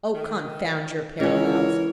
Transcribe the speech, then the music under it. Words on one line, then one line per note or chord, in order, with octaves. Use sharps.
'Oh, confound your parallels!
D#3
C#2 E3 C#4 A#4 C#5